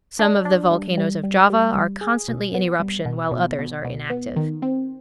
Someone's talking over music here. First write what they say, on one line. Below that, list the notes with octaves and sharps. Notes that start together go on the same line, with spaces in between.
Some of the volcanoes of Java are constantly in eruption, while others are inactive.
D4
D4
G3
G3
G3
G3
G3
G#4
B2
B3
G3
B2
B2
B2
B2
B3
D#3
C4